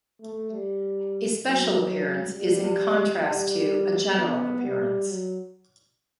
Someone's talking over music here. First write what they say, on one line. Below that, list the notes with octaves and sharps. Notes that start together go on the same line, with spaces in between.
A "special appearance" is in contrast to a "general appearance".
A3
G3
F#3
G3
G3
B3
G3
F#3